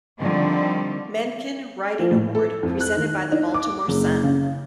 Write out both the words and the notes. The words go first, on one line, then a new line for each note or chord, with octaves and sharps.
Mencken Writing Award presented by the "Baltimore Sun".
D3 D#3 F3 G3 C4
F3
A2
A4
F2
F#6
D#3
D#4
D6
F#1
C#3